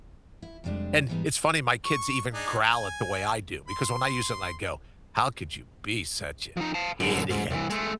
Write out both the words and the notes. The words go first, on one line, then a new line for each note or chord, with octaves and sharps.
and it's funny my kids even growl at the way I do, because when I use it and I go, "How could you be such an idiot?"
E4
F2 C3 G3 G#3 D4
G#2 E3 G3 B3 D#4
C#6
D4 D#4 G#4
G#5
C6
F3 D#4
F5 A5
F#2 D3
G#2
C2 E3
G#3 A3